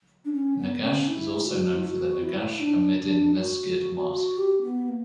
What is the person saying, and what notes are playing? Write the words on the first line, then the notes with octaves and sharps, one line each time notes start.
Negash is also known for the Negash Amedin Mesgid mosque.
D4
C#4
B3
C#4
E4
F#4
E4
F#4
E4
D4
D4
F#4
F#4
G4
B3
A#3